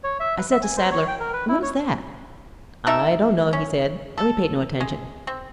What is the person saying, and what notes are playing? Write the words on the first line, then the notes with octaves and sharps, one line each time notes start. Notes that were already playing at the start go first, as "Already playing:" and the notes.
I said to Sadler: 'What is that?' 'I don't know,' he said, and we paid no attention.
C#5
E5
B4
E5
G#5
C5
C#5
G5
A#4
B4
E4
C#5
A3 D#4 A#4 E5
C#4
A4
G#3
C4